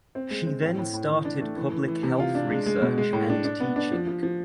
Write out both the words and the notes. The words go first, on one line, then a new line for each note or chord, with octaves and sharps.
She then started public health research and teaching.
C4
G#3
C4
A2
A2
A2
E3
D4
A3
E3
E3
E3
C3
F4
D4
G#3
G#3
B2
G#3
A2
D4
D4
B3
D4
F3
F3
F3